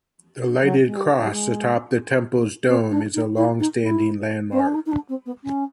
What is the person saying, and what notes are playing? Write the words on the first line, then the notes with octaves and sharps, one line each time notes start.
The lighted cross atop the temple's dome is a longstanding landmark.
F#3
G#3
G3
G3
G#3
C4
D4
D#4
E4
D#4
E4
C4
C#4
D4
D#4
D#4
D4
C4
B3
C#4